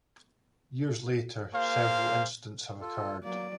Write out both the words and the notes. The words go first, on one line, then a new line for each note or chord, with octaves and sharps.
Years later, several incidents have occurred.
A#3 F4 G#4 C5 F5
F4 A4
F#3 A#3 D5